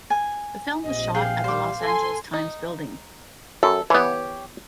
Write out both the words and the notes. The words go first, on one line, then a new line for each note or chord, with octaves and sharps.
The film was shot at the Los Angeles Times Building.
G#5
A#1 C3 D#5
G#4 F5 G5
G3 C5 D6
A4 G#5 C6
D#4
F#2 A4
E3 B3 G4 C#5